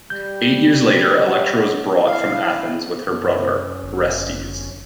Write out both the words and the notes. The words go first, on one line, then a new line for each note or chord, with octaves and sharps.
Eight years later, Electra was brought from Athens with her brother, Orestes.
G3 G6
C#5 F#5
E4 F5
F#2 C#4
G1